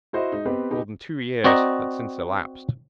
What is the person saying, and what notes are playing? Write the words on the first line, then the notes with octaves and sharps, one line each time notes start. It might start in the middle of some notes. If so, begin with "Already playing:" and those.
More than two years had since elapsed.
E4 F#4 C5 D#5 E5
G#3 D#4
B3 C4 G4 B4 D#5
D#4 G4 B4
C4 F#4 D5 D#5 A#5